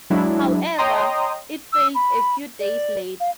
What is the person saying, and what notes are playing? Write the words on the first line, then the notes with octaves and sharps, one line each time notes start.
However, it failed a few days later.
F#3 G#3 D4 E4
C#5 D#5 G5 A#5 C6 D#6
E6
B5
D5
F5